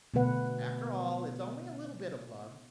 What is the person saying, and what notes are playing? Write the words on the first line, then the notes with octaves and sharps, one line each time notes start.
After all, it's only a little bit of love.
B2 D3 A3 B3 B4 F#5